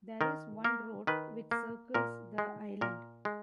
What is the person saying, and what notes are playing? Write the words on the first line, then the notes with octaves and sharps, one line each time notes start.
There is one road which circles the island.
D#3 A#4
A#3 A#4
D#3 B4
A#3
A#2 A#4
G#3
A#2 A#4
G#3